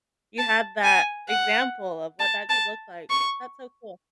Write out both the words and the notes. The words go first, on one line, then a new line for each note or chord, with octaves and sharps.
you have that example of what that could look like. That's so cool.
A5
G#5
F#5
A5
A5
C#6